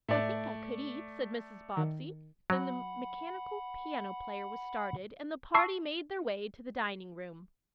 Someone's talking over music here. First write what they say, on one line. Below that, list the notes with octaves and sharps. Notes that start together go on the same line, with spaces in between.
"I think I could eat," said Mrs. Bobbsey, then the mechanical piano player was started, and the party made their way to the dining room.
A2 A3 D5
D#3
F#3 F#5 B5
A5 C#6 E6 C7